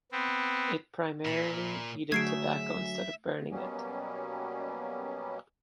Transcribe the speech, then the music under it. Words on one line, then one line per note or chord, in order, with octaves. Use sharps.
It primarily heated tobacco instead of burning it.
B3 C4
A#2 E5 A#5 B5
D3 F#3 A3 G#4 E5 G#6 C7 D7
B2 F#3 G3 A#3 B3 C#4